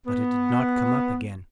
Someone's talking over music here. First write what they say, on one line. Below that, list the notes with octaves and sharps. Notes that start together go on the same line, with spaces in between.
But it did not come up again.
B3